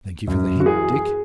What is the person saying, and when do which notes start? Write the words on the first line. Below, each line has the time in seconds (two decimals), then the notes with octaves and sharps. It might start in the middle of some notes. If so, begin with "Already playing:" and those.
Thank you for the hint, Dick.'
0.27 F#2
0.60 F#4
0.65 E3 G#4